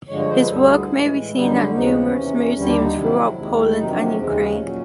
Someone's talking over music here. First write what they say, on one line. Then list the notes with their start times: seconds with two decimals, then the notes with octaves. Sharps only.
His works may be seen at numerous museums throughout Poland and Ukraine.
0.08 G2 D3 F3 G#3 C#5
0.19 C#5
0.29 C5
0.39 B4
0.49 D2 D3 G3 A4
0.63 G#4
0.77 E4
0.90 A2 E3 G#3
1.31 F#2 D3 G3 E4
1.41 D#4
1.52 D4
1.62 C#4
1.72 D#2 C#3 F3 G#3 D#4
1.82 C#4
1.92 C4
2.02 C#4
2.12 E2 C3 E3
2.53 D#2 D3 G3 C#4
2.66 D4
2.81 D#4
2.94 F2 C3 D#3 F#3 E4
3.35 D#2 D#3 G#3
3.75 F2 C3 D#3 F#3 D#4
3.90 D4
4.03 C#4
4.16 D#2 C#3 E3 G#3 C4
4.30 C4
4.43 C#4
4.57 A#2 F#3